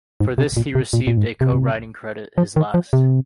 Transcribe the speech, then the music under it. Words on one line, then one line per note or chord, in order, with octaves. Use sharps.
For this he received a co-writing credit, his last.
G#2
C3
A#2
C3
A#2
A#2
G#2
C3
F3
D#3
F3
C3